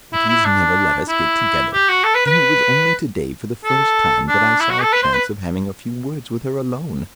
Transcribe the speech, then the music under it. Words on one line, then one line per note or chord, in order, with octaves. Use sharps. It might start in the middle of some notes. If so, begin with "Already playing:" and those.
But he has never let us get together and it was only today for the first time that I saw a chance of having a few words with her alone.
E4
E4
D4
E4
G4
F#4
A4
B4
B4
A4
D4
E4
F#4
A4
B4
C5
B4